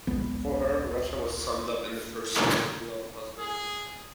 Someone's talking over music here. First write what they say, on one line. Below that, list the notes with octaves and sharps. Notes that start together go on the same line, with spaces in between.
For her, Russia was summed up in the person of her beloved husband.
D1 A#1 G#3 B3
G#4